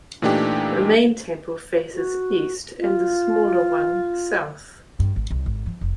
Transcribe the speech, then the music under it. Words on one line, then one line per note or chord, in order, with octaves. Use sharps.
The main temple faces east and the smaller one south.
A#2 E3 A3 D4 D#4 G4
F#4
F4
G2
G#1
C2
G#1
F3
F1